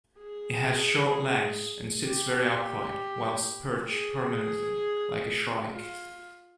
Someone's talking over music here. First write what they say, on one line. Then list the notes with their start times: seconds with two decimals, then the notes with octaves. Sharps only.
It has short legs and sits very upright whilst perched prominently, like a shrike.
0.18 G#4
2.03 G4
3.89 G#4
5.74 F4